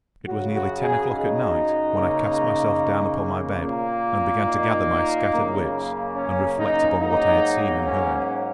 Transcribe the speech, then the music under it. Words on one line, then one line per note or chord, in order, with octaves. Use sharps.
It was nearly ten o'clock at night when I cast myself down upon my bed, and began to gather my scattered wits, and reflect upon what I had seen and heard.
F#2 C#3 F#3 F#4
F#4
G#4
D#4
C#3 A#3
A#2 A#3
D#4
F#2 C#3 A#3
C#4
D#4
G#2 F#3 A#3 D#4
C#4